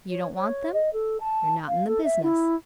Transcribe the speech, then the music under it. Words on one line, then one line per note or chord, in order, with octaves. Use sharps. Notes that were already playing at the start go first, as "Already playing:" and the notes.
You don't want them--you're not in the business.
C#5
C#5
D#5
A4
A5
F5
A4
E5
E4